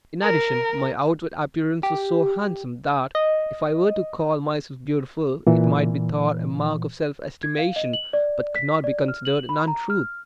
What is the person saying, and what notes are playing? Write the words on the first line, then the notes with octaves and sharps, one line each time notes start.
In addition, my outward appearance was so handsome, that if I were to call myself beautiful, it might be thought a mark of self-estimation, but could not be considered an untruth.
A#4
G4
D#5
A#2 E3
G#6
F5
D#5
F#7
D5
B6
D5
F6
F#7
B5
A#5
F6